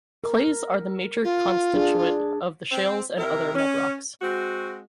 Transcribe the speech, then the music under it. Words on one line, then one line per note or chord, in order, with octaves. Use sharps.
Clays are the major constituent of shales and other mudrocks.
A#4
F4
D4 G#4
C4
C3 E4 A#4
C#4
G#3 C4 F#4